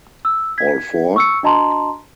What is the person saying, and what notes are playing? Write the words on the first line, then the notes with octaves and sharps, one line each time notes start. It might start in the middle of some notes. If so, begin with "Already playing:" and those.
All four?
E6
G#6 B6
C#6 E6 C#7
D4 F#4 D#5 A5 A#5 C6